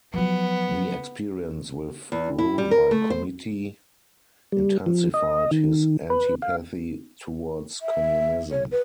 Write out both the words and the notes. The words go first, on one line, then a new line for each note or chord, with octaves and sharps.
The experience with rule by committee intensified his antipathy towards Communism.
F3 F#3 B3
E2
E4
G3
A#4
A3
C5
G3
F3
D#5
D#3
B4
F5
E5
C#5
B4